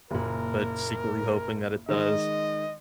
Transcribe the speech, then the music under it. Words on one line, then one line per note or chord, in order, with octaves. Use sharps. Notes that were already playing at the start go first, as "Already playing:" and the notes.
but secretly hoping that it does.
F#1 A#2 A#4
D#3 G#3 D#5